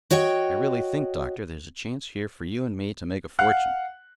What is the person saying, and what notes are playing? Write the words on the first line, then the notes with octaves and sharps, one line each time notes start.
I really think, Doctor, there's a chance here for you and me to make a fortune.
F#4 C#5 D#5 F#5 G5
F5 F#5 F#6